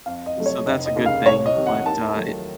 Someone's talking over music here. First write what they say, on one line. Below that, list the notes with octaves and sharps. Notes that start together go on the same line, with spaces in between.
so that's a good thing, but, uh, it
F2 F5
D#5
C3 F#3 A3
C#5
F1 D#5
D#5
D#2 C#3
F5
C2 C#5
D#5
C3 D#3
F#5
D#2 A5
D#3 F#3 A3